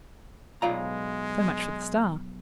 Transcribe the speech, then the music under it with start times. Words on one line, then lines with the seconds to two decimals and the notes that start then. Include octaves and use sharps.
So much for the "Star".
0.62 B1 G#3 F4 D5 F5 A#5 B5